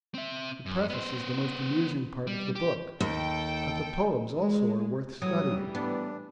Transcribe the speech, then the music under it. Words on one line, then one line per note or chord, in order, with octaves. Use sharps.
The preface is the most amusing part of the book, but the poems also are worth studying.
C4 E5
F#2
B3 C5
G3
G4
D#2 A4 G5
G#3
A2 E3 F#3 G3 D#6
B3 D4